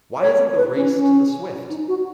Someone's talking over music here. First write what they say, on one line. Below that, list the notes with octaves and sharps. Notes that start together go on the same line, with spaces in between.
Why isn't the race to the swift?
C#5
B4
C#4
C#4
D#4
F#4